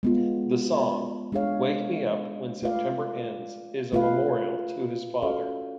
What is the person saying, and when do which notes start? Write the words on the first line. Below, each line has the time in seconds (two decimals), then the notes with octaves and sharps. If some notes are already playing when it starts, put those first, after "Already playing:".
The song "Wake Me Up When September Ends" is a memorial to his father.
0.03 G#3 B3 F4
1.32 G#3 D4 G#4 C#5 F5
2.62 A3 F4 B4 D5 F5
3.92 A3 F4 B4 F5
5.22 C#4 F#4 A4 C#5 F5